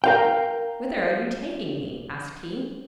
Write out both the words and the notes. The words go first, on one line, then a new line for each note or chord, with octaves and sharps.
"Whither are you taking me?" asked he.
A#4 F5 G5